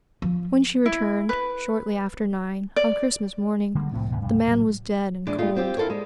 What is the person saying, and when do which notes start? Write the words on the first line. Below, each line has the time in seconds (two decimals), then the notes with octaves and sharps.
When she returned, shortly after nine, on Christmas morning, the man was dead and cold.
0.22 F3
0.86 E4
1.29 B4
2.76 D5
3.75 D3 G3 G#3 A#3
3.93 C2 A2 F3 C4
4.11 E2 A2 C#3
4.22 B1 G2
4.48 A2 F#3
5.27 E3 G#3 D4
5.38 G#3 A3 F4
5.55 B3 C4 F4 G4
5.77 E4 F4 A4 A#4 C#5
5.90 G3 G#3